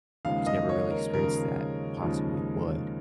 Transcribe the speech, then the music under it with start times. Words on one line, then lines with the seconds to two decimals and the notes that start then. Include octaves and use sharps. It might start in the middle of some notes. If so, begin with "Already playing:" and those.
has never really experienced that possibly would,
0.25 D#2 C#3 F3 G#3 F5
0.46 D#5
0.69 C#5
0.91 A#4
1.13 D#2 C#3 F3 G#3 A#4
2.02 D#2 C#3 F3 G#3